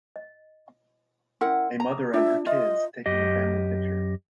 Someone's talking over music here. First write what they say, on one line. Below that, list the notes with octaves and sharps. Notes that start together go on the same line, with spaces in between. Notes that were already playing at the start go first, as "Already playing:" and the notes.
A mother and her kids taking a family picture.
D#5
C#4 E4 A#4 F#5 C6
A#5
D4 F4 D5 E5
F4 D#5 E5 C6
F#2 G4 D#5